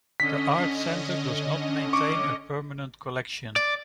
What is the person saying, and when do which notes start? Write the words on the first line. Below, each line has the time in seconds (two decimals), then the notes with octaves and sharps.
The Art Center does not maintain a permanent collection.
0.20 D3 C#4 D#5 B6
1.93 C#6 D6
3.56 D5